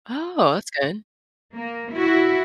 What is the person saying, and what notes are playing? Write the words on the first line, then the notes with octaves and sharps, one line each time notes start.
Oh, that's good.
A#3
E4 F#4